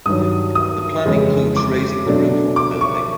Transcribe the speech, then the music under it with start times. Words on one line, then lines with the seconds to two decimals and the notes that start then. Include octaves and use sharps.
The plan includes raising the roof on the building.
0.06 G2 D#3 F#3 D#6
0.55 D#6
1.05 F2 C#3 E3 G#3 C#4
1.56 D6
2.06 B2 F#3 A3 D4
2.56 D6
2.81 C#6